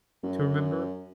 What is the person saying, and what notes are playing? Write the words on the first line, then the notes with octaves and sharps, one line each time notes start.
to remember,
F#2